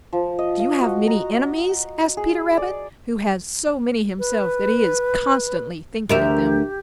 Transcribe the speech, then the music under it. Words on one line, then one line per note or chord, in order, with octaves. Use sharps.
"Do you have many enemies?" asked Peter Rabbit, who has so many himself that he is constantly thinking of them.
F3
D#5
F5
F#4
A#5
G#4
D5
B4
D2 G4 A#4 E5